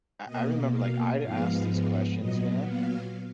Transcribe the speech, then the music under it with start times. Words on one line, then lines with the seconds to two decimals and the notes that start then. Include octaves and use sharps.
I I remember, like, I'd ask these questions, man,
0.25 B2 A#3 D#5
0.74 F5
1.22 G#2 F3 G#3 B3 F5
2.19 A#2 F#3 B3 D#5
2.67 F5